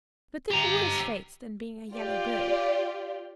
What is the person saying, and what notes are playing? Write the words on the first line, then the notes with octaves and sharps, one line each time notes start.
But there are worse fates than being a yellow bird.
G4 A#5
F4 G4 D5